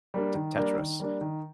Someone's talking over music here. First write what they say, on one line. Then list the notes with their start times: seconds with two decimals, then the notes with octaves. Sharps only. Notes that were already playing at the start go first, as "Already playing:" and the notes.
T Tetris,
0.14 G3 A#3 D4
0.35 D#3
0.57 G3 A#3 D4
0.78 D#3
1.00 G3 A#3 D4
1.21 D#3